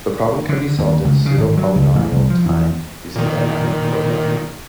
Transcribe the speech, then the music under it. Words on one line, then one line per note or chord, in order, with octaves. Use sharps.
The problem can be solved in pseudo-polynomial time using dynamic programming.
D3
D#2
C#2
C#3
G#1
F#3
C#2
A1
C2
F3
E2
A#2 D#3